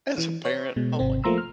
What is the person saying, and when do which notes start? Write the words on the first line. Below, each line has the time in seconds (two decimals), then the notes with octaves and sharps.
As a parent, oh my god.
0.18 E3
0.45 C#5
0.76 B2 G#3
0.99 G#1 C3 C4
1.24 F3 A3 A#3 A#5 C6 E6
1.38 F6